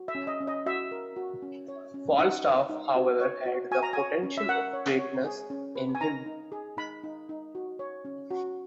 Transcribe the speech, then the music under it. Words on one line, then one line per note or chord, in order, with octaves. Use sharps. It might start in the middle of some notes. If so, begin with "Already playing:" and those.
Falstaff, however, had the potential of greatness in him.
Already playing: F#4
E5
C#4
D#5
C#4
D#5
F#4 E5
A#4
F#4
C#4
C#5
C#4
D#4 F#5
B4
D#4
F#4
C#5
F#4
F#4 G#5
A#5
C#5 G#5
C#4
E5
A#4 F#5
C#5
C#5
G#4
C#4
B4
G#5
D#4 A#5
D#4
G#4
D#4 B5
D#4
D#4
F#4
C#5
C#4
F#4